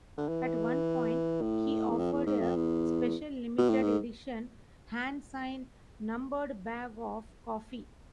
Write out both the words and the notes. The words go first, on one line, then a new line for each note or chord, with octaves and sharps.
At one point, he offered a Special Limited Edition hand-signed numbered bag of coffee.
D3
E3
A2
E2
F2
E2
G#2
F2
E2
B2
A2
G#2